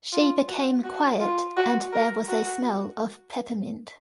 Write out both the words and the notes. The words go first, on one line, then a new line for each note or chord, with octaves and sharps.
She became quiet, and there was a smell of peppermint.
F4
F#4
F#4
F4
F#4
A#4
F#4